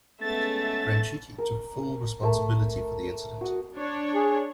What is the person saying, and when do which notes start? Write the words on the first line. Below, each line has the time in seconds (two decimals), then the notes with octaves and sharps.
Franchitti took full responsibility for the incident.
0.21 G#3 A3 B3 C#4 E5 A6
1.38 A#4
2.22 A3 A#4 A5 D6
3.41 F#4 D#6
3.77 D4 C#5
4.15 G#4